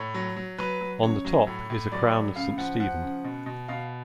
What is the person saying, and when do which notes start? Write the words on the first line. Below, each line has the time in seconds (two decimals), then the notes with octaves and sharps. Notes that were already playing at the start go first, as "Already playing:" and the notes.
On the top is a Crown of Saint Stephen.
Already playing: A2 C#5
0.14 F#3
0.36 F#3
0.58 F#3 B4
0.81 F#3
1.03 C#3 C#5
1.25 F#3
1.47 A2
1.70 A2
1.92 F#3 D5
2.14 A2
2.36 C#3 F5
2.58 F3 F#5
2.80 F3 F#5
3.02 C#3
3.24 B2
3.46 B2
3.68 B2 F5